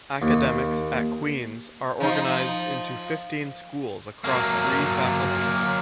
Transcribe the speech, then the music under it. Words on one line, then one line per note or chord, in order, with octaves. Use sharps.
Academics at Queen's are organised into fifteen schools across three faculties.
D#2
F3 D#4
F#3 A#3